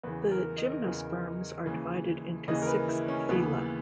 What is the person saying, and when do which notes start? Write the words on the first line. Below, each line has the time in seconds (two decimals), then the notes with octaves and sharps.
The gymnosperms are divided into six phyla.
0.03 E2 C#3 E3 B4
0.31 A#4
0.58 D#5
0.85 E2 C#3 E3
1.66 D#2 C#3 E3
2.47 D#2 C#3 E3 D#5
2.62 A#4
2.67 B4
2.88 E4
3.08 C#4
3.29 D#2 C#3 E3 B3